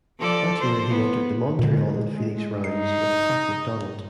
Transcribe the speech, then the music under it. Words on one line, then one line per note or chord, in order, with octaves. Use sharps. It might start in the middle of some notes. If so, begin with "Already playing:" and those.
That year he entered the Montreal and Phoenix rounds with Pat MacDonald.
F3 A4 D5
C5
B3
A#2 D3 G#3
D#4 C7